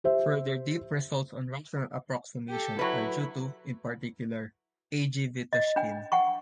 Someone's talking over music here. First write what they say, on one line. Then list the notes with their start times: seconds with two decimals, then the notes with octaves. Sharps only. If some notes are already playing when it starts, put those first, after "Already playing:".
Further deep results on rational approximation are due to, in particular, A. G. Vitushkin.
0.04 G4 C5 E5
2.49 G4 A4
2.79 F#3 E4 B4
5.53 D#5
5.76 D4 G5
6.12 F#5 G5 C#6